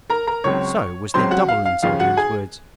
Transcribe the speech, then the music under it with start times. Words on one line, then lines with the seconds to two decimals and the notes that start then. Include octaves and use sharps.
So was there double insult in his words.
0.10 A#4 A#5
0.27 A#4 A#5
0.44 C#2 C#3 F#3 C4 C#5 C#6
1.14 C#2 C#3 F#3 C4 C5 C6
1.31 F#4 F#5
1.48 F5
1.66 F5
1.83 D#2 C#3 F3 F5
2.00 F#4 F#5
2.17 G#4 G#5